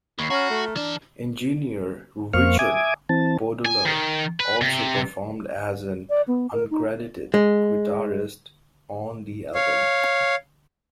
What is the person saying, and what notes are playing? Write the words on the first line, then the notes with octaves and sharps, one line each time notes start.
Engineer Richard Podolor also performed as an uncredited guitarist on the album.
D#2 B5 C#6 C7
C#4 F#4 A#5 F6
A3
E3 D4 A5
F2 A#3 C5 F5 C#6 F6
E5 G#5 D6 D#6 G#6
E3 C4 A5
G#5
D#3
B4
C3
D5
B3
A#4
D#4
G#3
C#5 F5